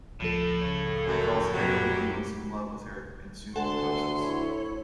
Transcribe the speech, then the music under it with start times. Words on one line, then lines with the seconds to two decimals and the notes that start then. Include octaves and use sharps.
He falls head over heels in love with her and soon proposes.
0.20 C#2 A2 F3 A4
0.59 C#3 C#5
1.07 F#2
1.53 F#2 F#3 G3 G4
3.56 D2 A4 F#5 G#5 C6
4.22 E4 C#5 B5